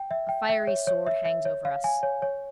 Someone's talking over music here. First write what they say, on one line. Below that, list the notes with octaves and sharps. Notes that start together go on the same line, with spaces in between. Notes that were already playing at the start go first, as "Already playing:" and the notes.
A fiery sword hangs over us.
Already playing: G5
E5
G5
E5
C#5
C#5
E5
E5
C#5
F5
G#5
C#5
C#5